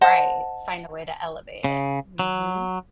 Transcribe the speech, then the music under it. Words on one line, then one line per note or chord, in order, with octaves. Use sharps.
Right, find a way to elevate it, mhm.
C5 D#5 F#5 A5
C#3
F#3